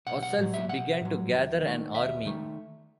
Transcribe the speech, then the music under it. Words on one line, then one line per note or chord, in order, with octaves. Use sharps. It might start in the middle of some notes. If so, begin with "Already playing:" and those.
Osulf began to gather an army.
B1 F#5
F#5
A2 F#3
E5
B1 F#5
A2 F#3
D#2
D#3 A3
D#2 E5
D#3 A3